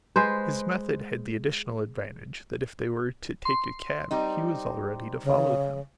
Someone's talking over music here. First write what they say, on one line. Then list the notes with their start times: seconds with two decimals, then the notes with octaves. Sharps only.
His method had the additional advantage that if they were to take a cab he was all ready to follow them.
0.16 G#3 B4 C5
3.45 C6
4.11 G3 C4 D#4
5.24 C#3